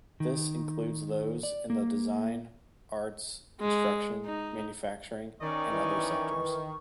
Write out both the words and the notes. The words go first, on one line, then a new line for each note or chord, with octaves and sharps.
This includes those in the design, arts, construction, manufacturing and other sectors.
D#3
D5
A#3
G#3
D#4
D#3 C#4 D#4 D5 C#6
E3